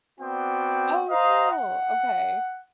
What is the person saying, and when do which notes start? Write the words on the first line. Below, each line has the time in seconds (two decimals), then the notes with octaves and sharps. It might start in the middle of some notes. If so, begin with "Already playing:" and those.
Oh, cool. Okay.
0.20 B3 C4 F#4 D5 G5
1.09 C5 D#5 F5 A#5 D#6
1.51 F#5